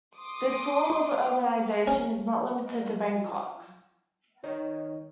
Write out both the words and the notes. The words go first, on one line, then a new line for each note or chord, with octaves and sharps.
This form of urbanization is not limited to Bangkok.
C6 D6 D#6
C#4
D#3 D#4 C#5